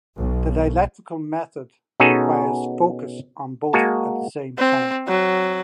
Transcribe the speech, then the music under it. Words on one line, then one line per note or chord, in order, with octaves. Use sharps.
The dialectical method requires focus on both at the same time.
B1
B2 C#4 D#4 F#4 G#4 A4
G#3 A#3 F#4 G#5 A5
C4
F#3